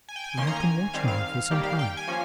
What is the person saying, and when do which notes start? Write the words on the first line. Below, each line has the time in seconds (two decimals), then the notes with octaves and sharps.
"I have been watching you for some time."
0.09 G#5
0.16 G5
0.24 G#5
0.37 D#3 A#3 C#4 C6
0.47 A#5
0.56 G#5
0.93 D#3 G3 C4 F5
1.08 F5
1.50 D#3 G3 A#3 G4
1.65 F5
1.79 G5
1.97 G#5
2.08 F3 A#3 C#4